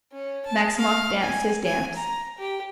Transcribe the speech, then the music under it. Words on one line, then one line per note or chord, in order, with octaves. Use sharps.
Maximov danced his dance.
C#4
A5
F5
G#5
G#5
A#5
G4